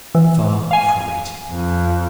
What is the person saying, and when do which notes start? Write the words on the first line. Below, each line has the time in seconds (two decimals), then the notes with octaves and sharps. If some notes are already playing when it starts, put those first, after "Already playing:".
Far from it.
0.15 E3
0.71 F5 G#5
1.52 F2